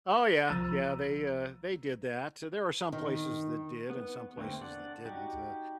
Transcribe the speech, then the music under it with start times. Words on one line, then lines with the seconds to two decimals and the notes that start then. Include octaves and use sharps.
Oh, yeah, yeah, they, uh, they did that, there were some places that did, and some places that didn't. Uh,
0.47 C2 F3 A#5 E6 A6 D#7
2.92 D#3
3.90 B3
4.37 D3 A3 A#3 C4
4.61 D4 D5 F#5
5.06 D#4 F#4 G4